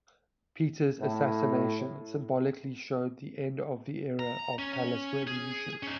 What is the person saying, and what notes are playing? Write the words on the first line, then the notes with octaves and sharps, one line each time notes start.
Peter's assassination symbolically showed the end of the era of palace revolutions.
A2
A#5
C#4
G#4
C#4 D#4